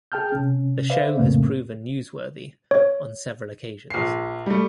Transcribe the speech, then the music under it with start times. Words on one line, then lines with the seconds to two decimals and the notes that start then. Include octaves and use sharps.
The show has proven newsworthy on several occasions.
0.12 G#4 G5 A5 F6 G6
0.32 C3 C#4
0.90 B4 C5 D5 E5 F5
1.17 F2 A2 C#3 A3 A#3 C4
2.71 C#5
3.90 A#1 C7
4.46 G3 A3